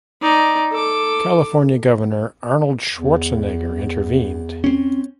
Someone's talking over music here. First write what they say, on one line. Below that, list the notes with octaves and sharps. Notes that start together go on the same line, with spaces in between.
California governor Arnold Schwarzenegger intervened.
D#4 D5
A4 D6
E2
C4 C#4